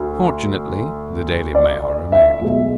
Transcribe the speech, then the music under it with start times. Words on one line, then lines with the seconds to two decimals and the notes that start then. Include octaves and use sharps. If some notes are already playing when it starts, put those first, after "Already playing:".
Fortunately "The Daily Mail" remained.
Already playing: D2
1.55 D5
2.12 E5
2.41 B1 B2 G#3